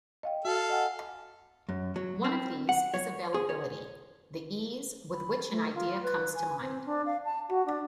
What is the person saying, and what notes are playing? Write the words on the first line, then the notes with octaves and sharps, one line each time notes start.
One of these is "availability": the ease with which an idea comes to mind.
D#5 F5 G5
F#4 A4 F5
D#5 F#5 G#5
F#2
F#3
C4
F#5
C#5
G#4
C#5
B5
A3
F4
B4
G#5
C4
D4
F5
A5
F#4
D4